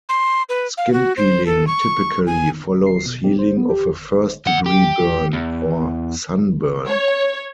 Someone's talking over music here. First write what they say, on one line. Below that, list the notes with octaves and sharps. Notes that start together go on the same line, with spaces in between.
Skin peeling typically follows healing of a first degree burn or sunburn.
C6
B4
F5
F#4
C5
A4
C#6
G#5
C7
B2
G4
C5
B3
G4
G2 F#5
G4
E2
C#5